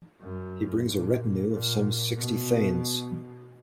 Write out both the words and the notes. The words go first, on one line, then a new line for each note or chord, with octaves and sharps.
He brings a retinue of some sixty thanes.
F#2
A#2
A#2
B2